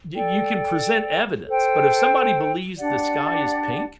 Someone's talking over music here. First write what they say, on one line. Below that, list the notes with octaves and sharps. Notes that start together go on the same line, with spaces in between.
you you can present evidence, but if somebody believes the sky is pink,
A4 D5 G5
A4 C5 G5
D4 G4 D5 F#5